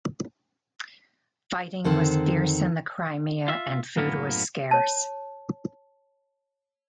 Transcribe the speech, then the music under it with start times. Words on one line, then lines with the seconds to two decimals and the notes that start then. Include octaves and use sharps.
Fighting was fierce in the Crimea and food was scarce.
1.84 F2 D3 D#3 C4 A4 A5
3.48 F4 E5
3.97 F#2 A2 A#3 B3
4.71 C#5 A5